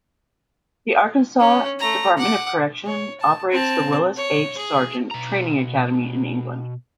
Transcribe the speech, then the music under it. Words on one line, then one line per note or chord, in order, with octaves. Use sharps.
The Arkansas Department of Correction operates the Willis H. Sargent Training Academy in England.
C#4
A3 A#5
F#5 D6
C#5
A5
C4 A5
C#5
G#4
B2 A#5